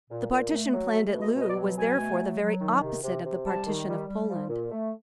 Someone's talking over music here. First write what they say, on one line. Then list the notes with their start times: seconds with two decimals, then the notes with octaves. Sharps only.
The partition planned at Loo was therefore the very opposite of the partition of Poland.
0.10 A#2
0.30 A#2
0.52 A3
0.73 F#3
0.93 A3 E5
1.14 B2
1.21 D#5
1.35 B2 D#5
1.49 D5
1.55 F#3
1.77 B2 G#5
1.98 A3
2.20 F#3
2.40 F#3
2.61 D#3
2.82 C3
3.02 C3
3.24 C3
3.46 G3 A5
3.67 D#3
3.87 G3
4.08 G3
4.29 F3
4.50 A#2
4.71 A3